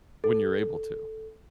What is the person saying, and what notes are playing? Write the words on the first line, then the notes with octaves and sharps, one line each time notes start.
When you're able to.
A4